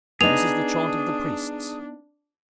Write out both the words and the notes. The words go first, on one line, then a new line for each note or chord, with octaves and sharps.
This is the chaunt of the Priests.
B3 D4 D#4 G#4 F7